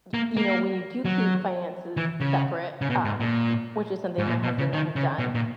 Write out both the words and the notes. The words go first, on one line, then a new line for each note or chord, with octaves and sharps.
y you know, when you do keep finances separate, um, wh which is something my husband and I have done,
A#3
A#3
F#3
E3
C#3
C#3
B2
G#2
A#2
G#2
A#2
B2
C#3
D#3
C#3
B2
A#2